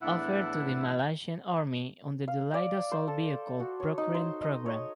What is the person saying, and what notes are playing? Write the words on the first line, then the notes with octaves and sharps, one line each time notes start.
Offered to the Malaysian Army under the light assault vehicle procurement program.
E2 A2 D4 E4 E5 F#5
F5
D5
C5
A4
F#4
C#5
D#4
C5
D#5
C#5